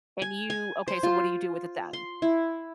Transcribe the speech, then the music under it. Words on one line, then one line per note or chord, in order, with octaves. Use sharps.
And you okay, so, what do you do with it then?
G#5
G#5
C5
F4
C6
E4